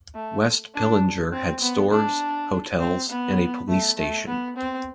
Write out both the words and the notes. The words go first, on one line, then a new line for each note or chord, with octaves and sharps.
West Pillinger had stores, hotels and a police station.
A3
D4
C4
B3
D4
C4
B3
A3
A3
B3
C4